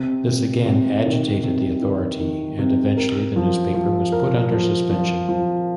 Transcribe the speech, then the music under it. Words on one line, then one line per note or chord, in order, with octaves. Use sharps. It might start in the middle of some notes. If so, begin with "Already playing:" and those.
This again agitated the authority and eventually the newspaper was put under suspension.
Already playing: C3
C3
C3
D#3
C3
D#3
D#3
C3
A#4
F3
F3
A#4
F3
F3
F3